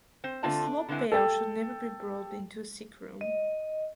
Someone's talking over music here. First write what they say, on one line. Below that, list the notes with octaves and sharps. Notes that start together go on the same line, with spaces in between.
A slop-pail should never be brought into a sick room.
C4 C5
D3 A3 C4 F4 D5 A5
D4
D3 G#3 B3 C4 E4 G#5
A4 G5
D#5